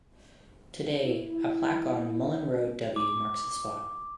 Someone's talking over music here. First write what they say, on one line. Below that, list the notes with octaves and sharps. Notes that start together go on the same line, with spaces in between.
Today a plaque on Mullan Road W. marks the spot.
E4
D6